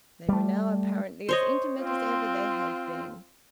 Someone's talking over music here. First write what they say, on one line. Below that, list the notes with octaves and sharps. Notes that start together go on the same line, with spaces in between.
They were now apparently as intimate as ever they had been.
G3 A3
C5 C#5 D#5
C4 F4